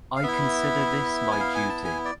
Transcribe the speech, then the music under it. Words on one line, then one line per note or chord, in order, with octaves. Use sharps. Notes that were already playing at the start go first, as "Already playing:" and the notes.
I consider this my duty.
F5
B3 E4 E5
G#5
F5
G#5
A5
G#5
D5